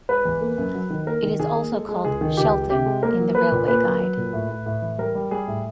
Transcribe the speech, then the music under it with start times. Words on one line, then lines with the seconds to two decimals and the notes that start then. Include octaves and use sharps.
It is also called "Shelton" in the Railway Guide.
0.09 G#3 B4
0.25 E2
0.41 A#3
0.58 F#2
0.74 F#3
0.90 D#3
1.07 A#3 A#4
1.23 D#3
1.39 D#3 G#4
1.56 A#3
1.72 G#3 A4
1.89 G#3
2.05 C#2 G#4
2.21 D#3
2.37 C#2 G4
2.54 G#3
2.70 C3 G4
2.86 G#3
3.03 A#3 A#4
3.19 F#3
3.35 A#3 B4
3.52 A#2
3.68 A#3 B4
3.84 F#3
4.01 F#3
4.17 A#2
4.33 A2
4.50 A2
4.66 A2
4.82 E3
4.98 G3 A#4
5.15 G3
5.31 G3 G#4
5.48 A2